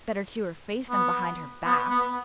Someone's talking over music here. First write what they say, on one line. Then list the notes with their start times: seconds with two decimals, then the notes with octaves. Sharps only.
"Better to her face than behind her back."
0.90 B3
1.65 B3
1.91 B3